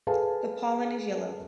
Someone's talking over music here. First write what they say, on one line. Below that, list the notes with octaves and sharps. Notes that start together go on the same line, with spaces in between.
The pollen is yellow.
G#4 A4 B4 F5 G#5 A5